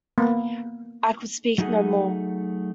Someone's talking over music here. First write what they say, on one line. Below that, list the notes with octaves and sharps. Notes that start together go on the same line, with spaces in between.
I could speak no more.
A#3 B3
F#3 A3 D#4 G#4 F#5